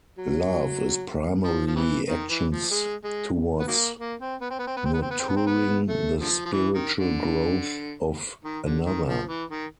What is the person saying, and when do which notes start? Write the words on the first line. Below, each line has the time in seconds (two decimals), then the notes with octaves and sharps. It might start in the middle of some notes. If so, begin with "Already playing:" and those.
Love is primarily actions towards nurturing the spiritual growth of another.
0.18 F#3
1.44 F3
1.67 F3
1.76 C3 E3
2.09 D#3
2.30 E3
2.51 F3
2.71 G#3
3.04 G#3
3.60 B3
3.68 D#3 F#3 A#3
3.99 A#3
4.20 C4
4.41 B3
4.50 C4
4.59 B3
4.67 C4
4.76 B3
4.85 C4
4.93 B3
5.02 C4
5.11 B3
5.19 C4
5.28 B3
5.36 C4
5.46 B3
5.89 A3
6.21 D3 F3
6.45 F3
6.53 E3
6.74 D#3
6.95 D3
8.44 D#3
8.64 D3
8.86 D#3
9.07 F3
9.28 E3
9.50 D#3